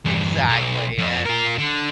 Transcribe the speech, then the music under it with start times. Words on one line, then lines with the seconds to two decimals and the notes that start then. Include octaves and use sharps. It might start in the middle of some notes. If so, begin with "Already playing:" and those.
Exactly, and
0.05 E2 G2
0.49 B1
0.98 F2
1.26 F4 A#4
1.58 D3